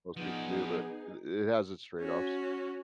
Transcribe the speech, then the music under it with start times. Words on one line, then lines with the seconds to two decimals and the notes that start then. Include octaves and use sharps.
most people do, but, i it has its trade-offs.
0.17 F3 B3 D#4 G#4 B4 D5
2.00 C#4 F#4